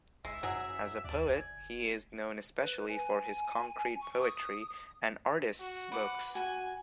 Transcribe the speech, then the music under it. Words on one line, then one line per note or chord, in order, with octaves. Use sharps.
As a poet he is known especially for his concrete poetry and artist's books.
F#1 G#3 E5
F#2 F#3 G#4
D#2 D5
F#1 G#5
B4
G#5
C#6
D#6
F#4
B4 F#5 D6
F#4 G#5